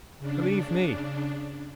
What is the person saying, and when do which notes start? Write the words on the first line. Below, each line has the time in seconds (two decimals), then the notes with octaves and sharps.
Believe me!
0.19 C#3 D4